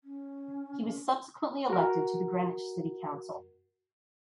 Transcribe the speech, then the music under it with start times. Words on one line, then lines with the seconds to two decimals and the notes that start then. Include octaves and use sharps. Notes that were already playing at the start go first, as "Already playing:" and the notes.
He was subsequently elected to the Greenwich City Council.
0.04 C#4
1.70 F#4 A#4